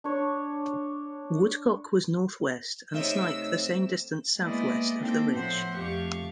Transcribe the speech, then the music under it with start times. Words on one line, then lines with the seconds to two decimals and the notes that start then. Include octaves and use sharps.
Woodcock was north-west and Snipe the same distance south-west of the ridge.
0.04 D4 C#5
2.94 C3 A3 C4 D#4 C#5 D#5 E5 E6
4.39 G#3 A#3 B3 E4 D5 D#5
4.99 A#3 C4 D#4 G4 A4 G5
5.32 A2 F3 B3 C5 E5 F#5
5.76 F2 A3 G4 F5 C#6